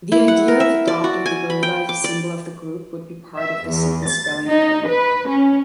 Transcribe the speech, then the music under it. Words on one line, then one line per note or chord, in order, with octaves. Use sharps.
The idea of adopting the gorilla as a symbol of the group, would be part of a simple spelling error.
E4
F#5
A#4
E5
D5
F#4
G#5
B5
G5
D6
D5
E5
E2
A6
D#4
B4
C#4